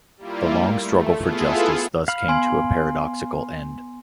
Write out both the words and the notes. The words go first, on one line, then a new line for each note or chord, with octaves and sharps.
The long struggle for justice thus came to a paradoxical end.
G3 A#3 E4 F4
A3
B3 E4 F4 G#4 A4
F5 B5 F6
B3 G#5 C6